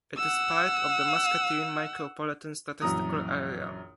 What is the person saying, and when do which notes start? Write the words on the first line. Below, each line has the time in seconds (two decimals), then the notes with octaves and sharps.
It is part of the Muscatine Micropolitan Statistical Area.
0.17 F#5 E6
2.81 A#1 F#2 E3 A#5 D#6